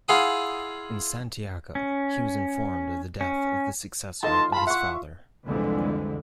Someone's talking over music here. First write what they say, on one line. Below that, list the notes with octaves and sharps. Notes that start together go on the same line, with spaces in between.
In Santiago he was informed of the death of the successor of his father.
E4 F4 G#4 F5 F#5 D#6
C#4
C#4
D#4 F4 A4 D#5 A5 C6
F5 A5 B5
E5 F#5 C#6
C2 F2 D3 E3 G#3